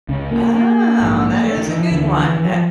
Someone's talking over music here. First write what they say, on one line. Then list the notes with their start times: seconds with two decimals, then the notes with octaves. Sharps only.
Oh, that is a good one, that
0.09 C#2 C#3
0.31 A#3
0.55 A#3
1.00 A#1 G#2
1.45 A3
1.57 D#3
1.68 E3
1.80 F3
1.91 D2 D3 E3
2.14 E3
2.37 E3
2.45 F#3
2.52 F3